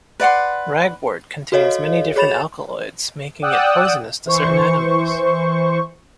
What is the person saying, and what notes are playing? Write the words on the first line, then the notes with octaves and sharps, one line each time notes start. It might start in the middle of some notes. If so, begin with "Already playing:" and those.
Ragwort contains many different alkaloids, making it poisonous to certain animals.
B4 D5 F#5 C6
F#4 A4 C#5 D#5 F5
G#4 C#5 B5 A6 E7 F7
D5 F#5 G5 D#6 E6 F#6
E3 C5 C#6